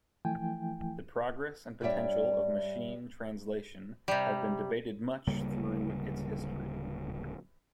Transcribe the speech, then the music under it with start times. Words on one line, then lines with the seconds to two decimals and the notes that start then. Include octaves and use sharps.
The progress and potential of machine translation have been debated much through its history.
0.25 E3 F3 A3 E4 G5 G#5
1.81 G2 G3 C#5 D5 E5 G5
4.08 C3 G3
5.28 D1 C#3 G3 A#3